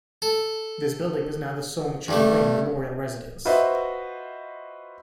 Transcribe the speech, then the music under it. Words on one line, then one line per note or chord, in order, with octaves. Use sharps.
This building is now the Soong Ching-ling Memorial Residence.
A4
G2 G3 A3
F4 F#4 B4 C5 D#5 E5